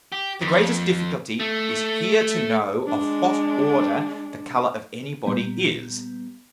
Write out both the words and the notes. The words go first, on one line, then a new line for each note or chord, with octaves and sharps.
The greatest difficulty is here to know of what Order the Colour of any Body is.
G4
F2
A3
G#3 D4
A#2 G3 B3